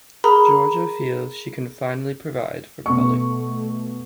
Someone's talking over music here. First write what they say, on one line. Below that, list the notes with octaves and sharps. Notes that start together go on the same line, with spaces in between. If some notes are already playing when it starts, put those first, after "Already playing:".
Georgia feels she can finally provide for Polly.
G#4 A#4 A#5 B5
B2 A3 C#6